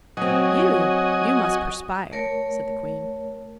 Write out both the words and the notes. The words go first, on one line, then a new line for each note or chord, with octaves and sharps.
"You! you must perspire," said the Queen.
F#3 C4 F#4 D#5 G#5
A3 A#4 C#5